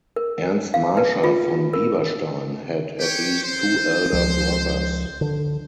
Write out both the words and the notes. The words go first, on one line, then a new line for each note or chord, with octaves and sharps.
Ernst Marschall von Bieberstein had at least two elder brothers.
A#4
F5
B4
F4
A#4
G4 C#5 G5
C5
C#2 F3
D3